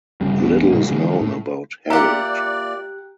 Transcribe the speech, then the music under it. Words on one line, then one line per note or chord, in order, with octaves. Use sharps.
Little is known about Harold.
G1 C#3 G3
E1 A1 B3 D4
A2 C#3 G3 A#3
D3 E3 G#3
A2
A#3 F4 G4 D5 E5 F#5 A#5